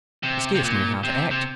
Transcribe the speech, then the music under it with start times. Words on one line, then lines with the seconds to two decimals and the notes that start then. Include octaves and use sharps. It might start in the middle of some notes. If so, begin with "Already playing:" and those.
He scarce knew how to act.
0.23 C3
0.55 C3
0.64 A#2
1.03 C3
1.31 C3